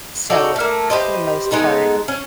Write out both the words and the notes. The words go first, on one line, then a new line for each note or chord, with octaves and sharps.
So, for the most part,
D#4 F#4 A4 D5
A3 A#3
G4 B4 C5 D#5
G#3 B3 D#4 A4
C#4